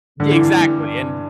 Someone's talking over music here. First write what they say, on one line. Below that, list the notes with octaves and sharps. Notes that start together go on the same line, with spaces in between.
Yeah, exactly, and
D3
G2 E3
G2